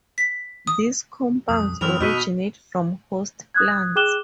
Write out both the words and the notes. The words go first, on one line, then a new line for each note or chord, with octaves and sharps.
These compounds originate from host plants.
B6
D#6
B1 F2 D#6
F#2 E3 C4 F6 F7
B2 D#4 B4 E6 B6 D#7
D#6 F#6 G#6
G#4 G5 D6 F#6 E7 G7